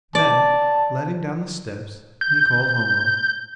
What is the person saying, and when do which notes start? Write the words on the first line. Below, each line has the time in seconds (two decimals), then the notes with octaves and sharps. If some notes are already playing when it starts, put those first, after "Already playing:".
Then letting down the steps, he called Homo.
0.15 D5 A5
2.21 G6